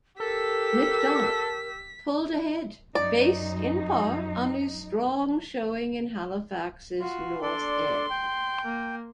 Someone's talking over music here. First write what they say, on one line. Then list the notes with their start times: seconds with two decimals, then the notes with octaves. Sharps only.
McDonough pulled ahead based in part on a strong showing in Halifax's North End.
0.20 G4 A4 A#4 E6 B6
2.95 F#2 D#4 D5
7.00 F4 F#4
7.42 D4 A4 D5 C6
8.10 G5
8.64 A#3